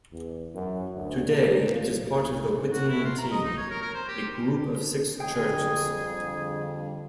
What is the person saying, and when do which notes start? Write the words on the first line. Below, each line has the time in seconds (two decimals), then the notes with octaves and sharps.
Today it is part of the Whitton Team, a group of six churches.
0.12 E2
0.55 F#2
0.95 D2
1.28 A#3
1.75 F#1
2.09 C2
2.72 F#4
2.89 E4
3.04 F4
3.18 A#5
3.31 D#5
3.44 D#4
3.57 C#5
3.71 A#4
3.82 A#4
3.94 C5
4.08 G4
5.20 F2 D3 G3 G#4 G5